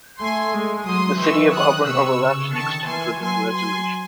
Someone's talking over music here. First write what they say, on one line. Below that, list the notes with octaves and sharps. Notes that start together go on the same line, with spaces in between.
The city of Auburn overlaps and extends within the reservation.
A3 G#5 C6
G#3
F#3 C6 D#6
E3 C#6 E6
D#3 D#6 F#6
C3 C#6 E6
C#3
D#3 A5 C#6
E3 G#5 C6
F#3 G#5 C6
G#5 C6